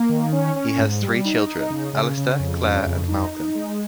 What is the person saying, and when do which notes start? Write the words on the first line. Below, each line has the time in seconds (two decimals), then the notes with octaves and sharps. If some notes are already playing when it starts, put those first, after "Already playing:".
He has three children, Alastair, Claire, and Malcolm.
Already playing: A#3
0.09 D#3
0.32 C#4
0.56 C#4
0.78 G#2
1.02 G3
1.25 D#4
1.47 D#4
1.70 C#3
1.93 C#3
2.17 C#3
2.40 F2
2.63 C#3
2.86 F2
3.08 D#4
3.32 D#4
3.55 G#3